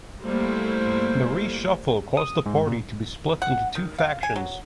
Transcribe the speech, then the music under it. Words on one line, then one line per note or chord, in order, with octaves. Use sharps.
The reshuffle caused the party to be split into two factions.
G3 A3 A#3 E4 C5
D#6
G#2
A#2
F#5
D#3
F5
G#5
F#3